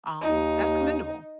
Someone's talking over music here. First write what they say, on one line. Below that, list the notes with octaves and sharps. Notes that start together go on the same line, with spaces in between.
um, that's commendable
D#2 D#4